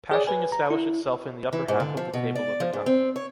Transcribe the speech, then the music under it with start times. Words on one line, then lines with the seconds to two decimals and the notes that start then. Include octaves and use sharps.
Pasching established itself in the upper half of the table over time.
0.11 G#4 C#5 D5
0.27 B4 G#5
0.52 A#5
0.70 E4
1.53 E3
1.68 G#2
1.80 D3
1.97 F3
2.14 B2
2.35 D5
2.60 F3
2.73 G#2
2.86 C4
3.16 C#5